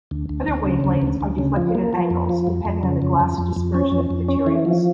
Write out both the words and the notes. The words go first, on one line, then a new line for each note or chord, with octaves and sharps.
Other wavelengths are deflected at angles depending on the glass dispersion of the materials.
D2
D2
D2
C#3
D2
D2
D2
C#3
F3
A#3
F3
F2
F3
F2
F2
C#3
F2
F2
F2
F2
C#4
F2
F2
C#4
E3
F3